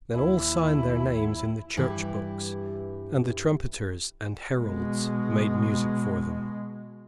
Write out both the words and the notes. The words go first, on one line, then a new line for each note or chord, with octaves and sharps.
Then all signed their names in the church books, and the trumpeters and heralds made music for them.
D#2 E4
G2 E3 E4 G4
B2 G#3